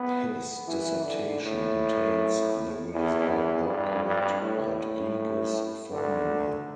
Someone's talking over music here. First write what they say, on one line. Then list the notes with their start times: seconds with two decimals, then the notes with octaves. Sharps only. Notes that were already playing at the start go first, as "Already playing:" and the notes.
His dissertation contains the result now called Rodrigues' formula.
Already playing: B3
0.68 E3
1.05 D3
1.42 A2
2.93 E2
3.30 E2
3.66 G2
4.04 G2
4.42 A2
5.92 D3